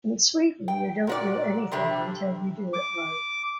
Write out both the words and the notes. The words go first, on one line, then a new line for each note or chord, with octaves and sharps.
In Sweden, you don't do anything until you do it right.
G5
A#2 F#4 D5
C3 G3 A3 D4
D6